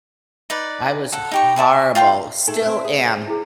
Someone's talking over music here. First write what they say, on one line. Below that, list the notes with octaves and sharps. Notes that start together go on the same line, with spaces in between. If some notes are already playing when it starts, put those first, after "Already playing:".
I was horrible still am.
D#4 B4 D5
A4 F#5
D#4 G4 C#6
D5 E5 G#5 C#6
F4 G5 A5 C6
A3 D#4 G#4 A4 G#5
C4 E4 B4
G#4
E4 G#4